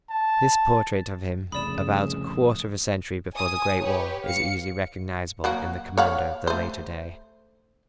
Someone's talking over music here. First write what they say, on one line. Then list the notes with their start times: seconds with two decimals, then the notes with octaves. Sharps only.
This portrait of him about a quarter of a century before the Great War is easily recognizable in the commander of the later day.
0.10 A5
1.52 C2 F2 A2 C#3 D5 B5 D#6 E7
3.36 G#5 D#6
3.82 G4 B4 C#5
4.25 F5 C#7
5.44 F#3 A#3 F#4
5.98 C#5 F5 F#5
6.47 A3 C5